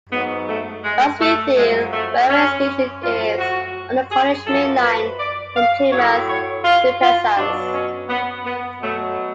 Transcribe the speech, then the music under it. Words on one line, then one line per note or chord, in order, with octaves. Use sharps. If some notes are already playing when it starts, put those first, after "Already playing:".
Lostwithiel railway station is on the Cornish Main Line from Plymouth to Penzance.
G#2 F#3 B3
A3
G#3
A3
F#2 F3 G#3
A3
C#4
A2 F3 F4
F#4
G#4
F#2 F3 A4
B4
D5
F5
A2 F#3 C#5
C#5
F4
F4
B2 F#3 D4
C#4
B3
B3
B2 F#3 A3